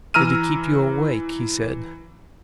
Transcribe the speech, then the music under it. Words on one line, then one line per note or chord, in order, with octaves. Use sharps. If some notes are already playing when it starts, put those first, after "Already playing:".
"Did it keep you awake?" he said.
E3 A#5 E6 F6 D#7